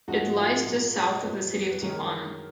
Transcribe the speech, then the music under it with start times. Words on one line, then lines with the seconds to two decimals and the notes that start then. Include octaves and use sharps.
It lies just south of the city of Tijuana.
0.08 G#2 F3 G#3 D#4 F#4
0.36 F4 G#4
0.66 A#2 F#3
0.94 G#4 B4
1.07 D#5
1.15 C#5
1.24 F#2 F3 G#3 G#4 B4
1.53 G#4 B4
1.71 B4
1.82 F#2 D#3 G#3 A#4 C#5